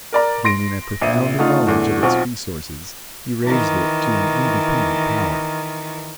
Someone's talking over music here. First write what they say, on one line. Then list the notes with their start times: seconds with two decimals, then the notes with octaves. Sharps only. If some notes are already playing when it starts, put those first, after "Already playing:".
Gaining a profound knowledge of its resources he raised it to an independent power.
0.13 A#4 D5 A#5
0.44 C6 A#6 D7
1.01 A#1 E5 D#7
1.39 D3 A3 D#4 F4
1.67 E2 A2 D3
2.02 B1 C4 F4 F#5 C#6
3.43 D#3 E3